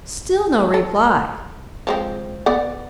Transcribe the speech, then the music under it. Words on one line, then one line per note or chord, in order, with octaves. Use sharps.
Still no reply.
A4
F3 G#3 C4
B3 D5 F#5